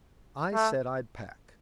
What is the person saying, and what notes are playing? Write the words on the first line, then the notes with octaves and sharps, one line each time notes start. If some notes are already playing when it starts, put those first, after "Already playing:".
I said I'd pack.
A3